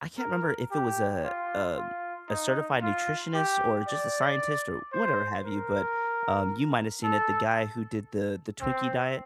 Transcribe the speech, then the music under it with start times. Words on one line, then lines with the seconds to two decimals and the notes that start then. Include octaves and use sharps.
I can't remember if it was a, um, a certified nutritionist or just a scientist or whatever have you, but, um, you might have seen it, the guy who did the the Twinkie diet,
0.19 A#4
0.72 G4
1.24 F4
1.77 F4
2.30 D#4
2.82 F4
3.35 G4
3.88 D5
4.93 C5
5.45 A#4
7.04 A4
8.61 C4